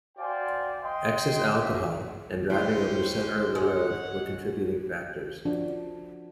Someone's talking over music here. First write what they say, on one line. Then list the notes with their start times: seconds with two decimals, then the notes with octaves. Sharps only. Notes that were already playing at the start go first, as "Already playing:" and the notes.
Excess alcohol and driving over the centre of the road were contributing factors.
0.18 F#4 C5 D5 F5 G5 G#5
0.83 D#5 G5 C6
1.60 A#2 A#3 G#4 E5
2.50 C#4 E4 C5 G5 C6
3.55 G#3 C#5 F#5
5.45 F3 D4 F#4